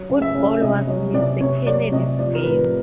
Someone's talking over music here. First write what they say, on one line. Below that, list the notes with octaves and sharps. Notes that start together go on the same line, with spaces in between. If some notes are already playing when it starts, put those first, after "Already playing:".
Football was Mr. Kennedy's game.
Already playing: F#3
C#3
E5
C#3
C3 D#5
F#3 D#5
C3 D5
C3 C#5
F#3 D5
C3 D#5
F3 D5
A#4
A2 B4